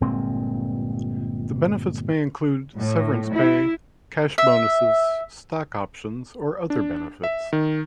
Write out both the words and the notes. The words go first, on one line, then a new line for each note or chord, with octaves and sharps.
The benefits may include severance pay, cash bonuses, stock options, or other benefits.
G1 A#2 G#3 C4
A2
E4
E5
D4
E5
D#3